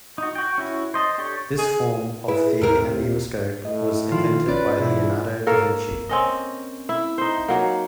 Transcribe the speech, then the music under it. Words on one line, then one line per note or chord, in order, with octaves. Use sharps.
This form of the anemoscope was invented by Leonardo da Vinci.
D#4 F#4
F#4 G5
C#4 E4 F#4
C5 D#5 A5
D4 G4 A4 C#5
G#4
E4 G#4 B4
D#2 C3 A#4
A2 D#5
D#3 F3 F4
C#4 B4 D5
E2 B2 E4
A#3 A4 A#4 C#5
C4 C#4 D#5
E4
D#4 C5
F#3 A#3